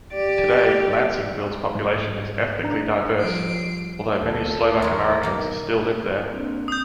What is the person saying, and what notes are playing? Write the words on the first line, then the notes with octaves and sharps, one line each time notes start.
Today, Lansingville's population is ethnically diverse, although many Slovak-Americans still live there.
G4 D5
G#2
D4 A#5
F3 G3 C7 D7
D2 A4
E2 G#3 C#4 A#4
B2 D#3 A#3
A#3 C4 D4
D#6 G6